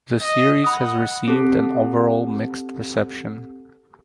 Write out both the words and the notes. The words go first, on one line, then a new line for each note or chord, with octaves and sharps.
The series has received an overall mixed reception.
D#5
F#5 B5 D#6
C4 G4 A4